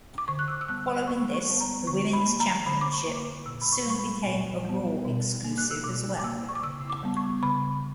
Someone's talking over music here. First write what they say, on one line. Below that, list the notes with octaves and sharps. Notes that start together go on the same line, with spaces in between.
Following this, the Women's Championship soon became a "Raw" exclusive as well.
D6
D3 C#6
F#6
E6
E6
G3 B3 F#6
E6
D3 C#6
C#6
G3 B3
A#5
D3 C#6
B5
A#3
A#5
D3 B5
D6
C#6
A#3
A#2 E6
B5
C#6
G3 B3 C#6
B5
A#2
G3 B3
B2
A#3
F#6
E6
B2 D6
D6
A#3 E6
C#6
D6
C#3 E6
D6
G3 B3
C#6
C#3 B5